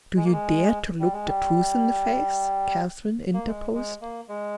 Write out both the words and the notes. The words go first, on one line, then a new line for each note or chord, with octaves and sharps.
"Do you dare to look the truth in the face?" Catherine interposed.
G#3
A#3
G#3
G3
G#3
G3
A#3
G#3
G#3
A#3
G#3